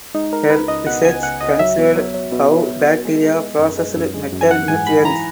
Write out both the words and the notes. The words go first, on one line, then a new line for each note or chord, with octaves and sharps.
Her research considered how bacteria processed metal nutrients.
G#3 D#4
G#3 A#4
C#2 B4
C#2 D#5
B2 F#5
C#2 G#5
C#2 F#5
C#2 D#5
F#3 E5
B2
F#3
F#3
B2
F#3
B2
B2
G#3
G#3
G#3
F#2
G#3
F#2
G#3
F#2
G#5
E3 F#5
G#2 G#5
G#2 B5
E3 A#5